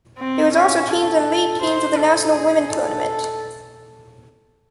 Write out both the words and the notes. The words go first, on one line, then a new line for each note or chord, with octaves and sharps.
There is also Teams and League Teams of the National Women Tournament.
C4
C#4
A4
C5
A4
G#4
A4